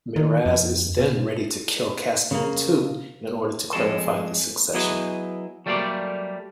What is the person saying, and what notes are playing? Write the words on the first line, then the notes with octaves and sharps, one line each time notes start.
Miraz is then ready to kill Caspian too, in order to clarify the succession.
D#3
F2
B2
C#3 A#3
F2 G#3 A4
F#3 B3 E4 G#4 D#5
F#3 G3 A3 A#3 C5 D5